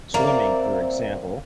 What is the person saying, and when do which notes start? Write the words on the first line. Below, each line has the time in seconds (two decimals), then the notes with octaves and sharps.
swimming, for example.
0.14 A#3 C4 D5 E5